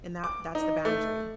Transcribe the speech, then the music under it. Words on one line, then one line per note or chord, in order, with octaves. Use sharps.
and that that's the boundary.
D6
D#4
A3